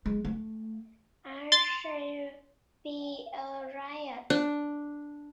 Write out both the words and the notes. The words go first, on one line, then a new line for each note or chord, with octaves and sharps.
I shall be a riot.
G#3
A3
C6 A6
D4